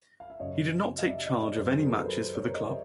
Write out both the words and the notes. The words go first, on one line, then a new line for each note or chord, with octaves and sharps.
He did not take charge of any matches for the club.
F5
E5
F#2 C#3 F#3 C#5 D#5
D#5 F5
D5 E5
E5
D#5
D5
C#5 D#5
F#2 D#3 F#3 C5 D5
F#4 G#4
G#4 A#4
A4 B4
A#4 C5
C#5
A#4 C5
C#5 D#5
D5 E5